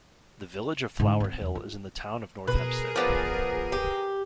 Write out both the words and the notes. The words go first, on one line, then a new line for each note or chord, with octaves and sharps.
The Village of Flower Hill is in the Town of North Hempstead.
G#2 D3
C4 C#4
E2
F4
B2 G#4 A#4 B4
F3 B3 B4 D5 D#7
G4